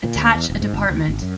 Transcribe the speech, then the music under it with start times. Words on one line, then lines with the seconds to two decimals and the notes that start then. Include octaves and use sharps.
Attach a department.
0.04 A#2
0.16 D2
0.35 E2
0.50 D#1
0.62 G#2
0.73 G1
0.90 D2
1.08 G#1
1.22 F#2